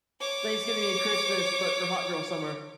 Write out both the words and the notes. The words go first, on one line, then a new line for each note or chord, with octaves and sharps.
Thanksgiving and Christmas, but for hot girl summer.
C#5 D6